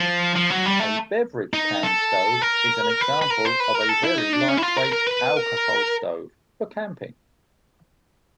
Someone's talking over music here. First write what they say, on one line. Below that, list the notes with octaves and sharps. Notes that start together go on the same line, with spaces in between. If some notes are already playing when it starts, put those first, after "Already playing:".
A beverage-can stove is an example of a very lightweight alcohol stove for camping.
Already playing: F3
F3
F#3
G3
A3
D#4
A4
A#4
B4
B4
A#4
C5
B4
A#4
A4
E4
D#4
D4
C#4
E4
F4
A#4
A#4
B4
A#4